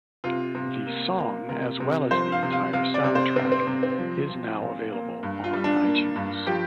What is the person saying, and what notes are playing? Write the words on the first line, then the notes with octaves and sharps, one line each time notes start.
The song, as well as the entire soundtrack is now available on iTunes.
C3 F4
C3
A#3
A#3
C3 A#4
C3
F3 C5
F5
C3
F5
C3 F5
D5
C3
C5
C3 C4
C4
C3
C4
F3
F3
A#2
A#3
G2
F4
G3
D4
A#3
G2
F3 G4